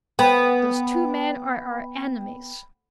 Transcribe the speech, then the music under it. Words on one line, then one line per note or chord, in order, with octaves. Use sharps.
Those two men are our enemies.
B3 G5 B5